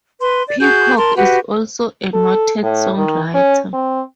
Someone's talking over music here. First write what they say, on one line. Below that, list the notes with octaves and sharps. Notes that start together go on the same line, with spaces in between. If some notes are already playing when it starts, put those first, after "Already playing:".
Peacock is also a noted songwriter.
B4 C6
D5
F#4 G#4 G6
A#4 A5 C6
F#4 G4 B4 F#5
A4
A2
D#3
C#4
C4